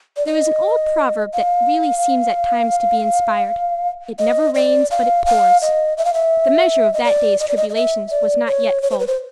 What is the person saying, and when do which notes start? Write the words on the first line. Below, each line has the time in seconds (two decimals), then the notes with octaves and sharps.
There is an old proverb that really seems at times to be inspired . . . "it never rains but it pours." The measure of that day's tribulations was not yet full.
0.17 D5
0.26 D#5
1.34 F5
4.19 D#5
4.54 D5
4.91 F5
5.26 F5
5.62 D#5
5.97 E5
6.05 F5
6.14 E5
6.94 D#5
7.04 D5
7.40 D#5
7.49 D5
7.57 D#5
7.69 D#5
7.75 E5
8.11 D5
8.47 C#5
8.83 C#5
8.91 C5
8.99 B4
9.07 C5